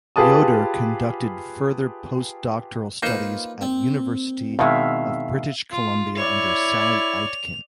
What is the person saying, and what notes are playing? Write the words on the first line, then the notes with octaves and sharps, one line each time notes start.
Yoder conducted further postdoctoral studies at University of British Columbia under Sally Aitken.
F4 G4 G#4 B4 A5 D#6
A#3 D#4 F4 B4 C5
C4
B2 D#3 G#3 E5 F5
F4
E4 C#5 D5 F7